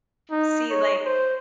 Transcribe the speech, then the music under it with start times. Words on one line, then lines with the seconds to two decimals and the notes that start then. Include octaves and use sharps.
see, like
0.31 D#4
0.70 C#5
1.05 C5